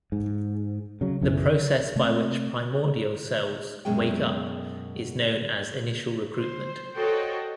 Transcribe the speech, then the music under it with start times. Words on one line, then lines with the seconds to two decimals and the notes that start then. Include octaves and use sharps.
The process by which primordial cells 'wake up' is known as initial recruitment.
0.12 G#2
1.01 C#3 F#3
1.21 B1 F#2 C#3 E3
1.96 C3 A3 C4
3.85 F#2 B2 G#3 G#4 A4 G5
6.37 C5
6.97 F#4 A4 C5 C#5 D#5 G5